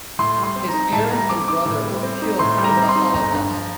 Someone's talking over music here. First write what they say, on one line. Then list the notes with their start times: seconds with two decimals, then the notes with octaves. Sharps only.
His parents and brother were killed in the Holocaust.
0.19 A2 C6
0.38 G3
0.43 C6
0.56 C4
0.68 A#5
0.74 D#4
0.92 A2 A5
1.11 G3 A#5
1.29 C4 D6
1.48 D#4 D6
1.66 A2
1.84 G3
2.03 C4
2.22 D#4
2.39 A2 C6
2.58 G3
2.64 A#5
2.77 C4
2.89 C6
2.96 D#4
3.14 G1 A#5
3.32 G2
3.50 F3